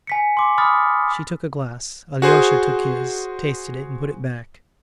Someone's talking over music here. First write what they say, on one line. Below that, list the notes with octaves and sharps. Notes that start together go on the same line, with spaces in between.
She took a glass, Alyosha took his, tasted it and put it back.
G#5 B6 C#7
C6 D6
B5 D6 D#6 F6 A6
F#4 G#4 C5